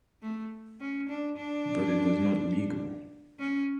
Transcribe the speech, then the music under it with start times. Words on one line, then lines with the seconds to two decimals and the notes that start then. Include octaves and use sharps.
But it was not legal.
0.22 A3
0.80 C#4
1.09 D4
1.37 D4
3.39 C#4